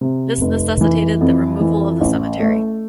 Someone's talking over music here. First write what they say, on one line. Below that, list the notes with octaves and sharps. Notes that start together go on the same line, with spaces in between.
This necessitated the removal of the cemetery.
C3
F1
E3
F2
E3
A1
A3